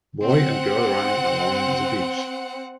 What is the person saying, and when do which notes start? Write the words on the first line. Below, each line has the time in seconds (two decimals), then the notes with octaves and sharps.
Boy and girl running along the beach.
0.23 C4 F#5